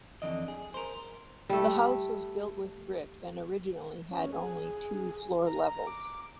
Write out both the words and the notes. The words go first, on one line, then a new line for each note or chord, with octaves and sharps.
The house was built with brick and originally had only two floor levels.
F2 D3 E3 D5 D#5
G#4
A#4 C5
G3 A3
C#4
G#4
A#5
D6